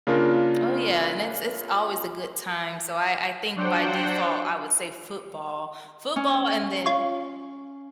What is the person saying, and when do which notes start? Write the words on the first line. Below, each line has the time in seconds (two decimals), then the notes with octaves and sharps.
Oh, yeah and it's it's always a good time so, I I think by default, I would say football. Football and then
0.07 C#3 A#3 D4 F4 A#4
3.56 F#3 D4 C5 F#5 G5
6.16 C#4
6.86 F4 C#5